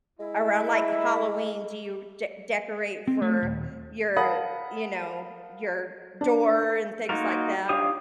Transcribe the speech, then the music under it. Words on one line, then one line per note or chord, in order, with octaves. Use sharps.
around, like, Halloween? Do you de decorate for your, you know, your door and things like that?
G#3 E4
C4
A3
D#1
A#4 F5 F#5 A5 B5 D#6
D4
A#3 D#4 F4 F#4 A#4
D4 F4 G4 C#5 D#6